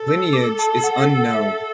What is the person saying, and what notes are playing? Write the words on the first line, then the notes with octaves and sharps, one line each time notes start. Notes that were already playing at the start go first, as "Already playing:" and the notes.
Lineage is unknown.
Already playing: A4
E6
D6
A5
F#5
F#5
E5